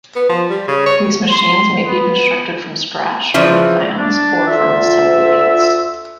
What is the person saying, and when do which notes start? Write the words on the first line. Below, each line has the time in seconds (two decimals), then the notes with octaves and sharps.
These machines may be constructed "from scratch", from plans, or from assembly kits.
0.16 B3
0.29 F3
0.50 G3
0.68 C#3
0.86 C#5
1.29 C6
1.85 B3
3.34 C#3 E3 F3 D5 E5
3.97 D4
4.47 D2 F4 E5